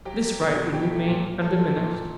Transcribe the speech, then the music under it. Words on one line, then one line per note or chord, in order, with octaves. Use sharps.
This right would remain undiminished.
F#3 G4 G5
A3
B2
B2
F#3 G4 G5
A3
A#2
A#2
F3 A4 A5
A3
A#2
A#2